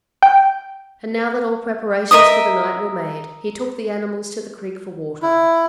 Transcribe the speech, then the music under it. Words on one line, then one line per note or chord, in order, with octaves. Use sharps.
And now that all preparations for the night were made, he took the animals to the creek for water.
G5
A#4 D#5 E5 D#6
E4